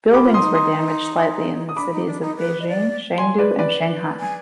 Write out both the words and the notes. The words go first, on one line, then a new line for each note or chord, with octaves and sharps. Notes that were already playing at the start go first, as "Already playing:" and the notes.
Buildings were damaged slightly in the cities of Beijing, Chengdu and Shanghai.
G4
B5 D6
F4
C6 D#6
D#4
C6 D#6
D#6
D4 B5 D6
D#4
D4
D#4
B4
D#5
D5
G#5 C6
B4 D5
B4 D5
G#5